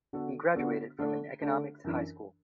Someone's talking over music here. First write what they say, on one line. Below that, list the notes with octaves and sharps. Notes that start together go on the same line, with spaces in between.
He graduated from an Economics High School.
D3 B3 D4 F#4 A4
D3 B3 D4 F#4 A4
D3 A3 D4
D3 A3 D4
F#2 E3 D4